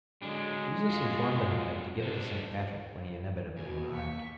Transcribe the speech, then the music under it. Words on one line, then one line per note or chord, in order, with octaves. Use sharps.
Jesus informed the hermit to give it to Saint Patrick when he inevitably arrived.
D3 F#3 G#3 D4
F#2 F4 F#4
D4 G#4 C5
D#2 B2 G#5
A#3 C#6 B6